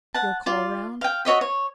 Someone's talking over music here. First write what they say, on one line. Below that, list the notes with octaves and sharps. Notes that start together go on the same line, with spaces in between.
"You'll call round?"
F#5 A5
F4 D5
F5 G5
F#4 C#5 D#5 E5
C#5